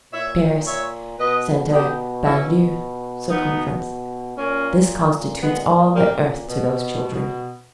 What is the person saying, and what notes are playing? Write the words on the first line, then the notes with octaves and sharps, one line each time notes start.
Paris, centre, banlieue, circumference; this constitutes all the earth to those children.
A#2 C#5 E5
C#5 E5
B2 B4 D#5
D#4 G4
B2 C#4 E4
B2 B3 D#4
A#2 A#3 C#4
A#2 G#3 B3
G3 A#3
B2